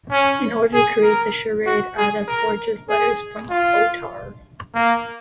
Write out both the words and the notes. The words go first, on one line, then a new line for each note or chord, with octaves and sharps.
In order to create the charade, Ada forges letters from Otar.
C#4
G#4
A#4
F#4
G#4
A#4
G#4
F4
A#3